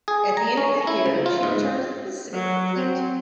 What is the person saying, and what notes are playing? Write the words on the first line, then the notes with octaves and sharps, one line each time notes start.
At the end of that year, she returned to the Pacific Fleet.
G#4
A#5
C#4
E4
C#3
F4
G#2
F#3
C4